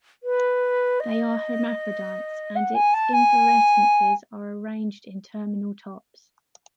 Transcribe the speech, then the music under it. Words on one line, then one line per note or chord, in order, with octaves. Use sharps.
They are hermaphrodites and its inflorescences are arranged in terminal tops.
B4
D#5
F#5
G#5
A5
G#5